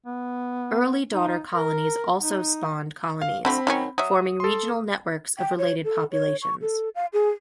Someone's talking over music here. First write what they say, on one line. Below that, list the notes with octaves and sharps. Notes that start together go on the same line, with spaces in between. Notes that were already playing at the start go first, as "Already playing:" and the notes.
Early daughter colonies also spawned colonies, forming regional networks of related populations.
B3
D#4
A#4
D#4
F5
D3 F3 A3 C4 B5
D#3 F#3 C#4
F#3 E5 D#6
A4 C6
G5
C#5
A4
C#5
C#6
A4
F5
G#4